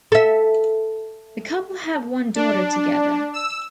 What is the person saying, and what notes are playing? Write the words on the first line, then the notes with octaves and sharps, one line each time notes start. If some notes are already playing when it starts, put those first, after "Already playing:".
The couple have one daughter together.
A4 E5
D4
E6